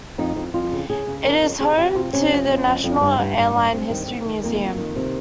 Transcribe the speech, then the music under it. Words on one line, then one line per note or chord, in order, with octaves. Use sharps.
It is home to the National Airline History Museum.
F2 D#4
F2
F2 F4
C#3
C#3 G#4
C#3
F2 A#4
C#3
C3 G#4
F2 G4
C3 F4
C3 C#4
F2
F2
F2
F2
G2
G2
G2
G2
G2 C4
D#3
D#3
D#3
F2 A#3
F2
D#3
C3